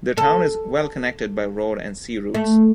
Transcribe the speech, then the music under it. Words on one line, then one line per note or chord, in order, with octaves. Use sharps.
The town is well connected by road and sea routes.
A4
A3